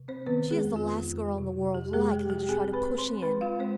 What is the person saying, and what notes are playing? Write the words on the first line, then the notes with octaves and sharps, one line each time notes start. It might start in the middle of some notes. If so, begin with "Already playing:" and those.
She is the last girl in the world likely to try to push in.
Already playing: C3
C4 C5
D#3 B3 B4
G#3 G#4
F2
F4
F2
C3
F2 G4
G#3 G#4
C3 G4 G5
G4 G5
C4 G#4 G#5
B4 B5
C4
C5 C6
G#3 B4 B5
F4 F5
G#3 C4 C5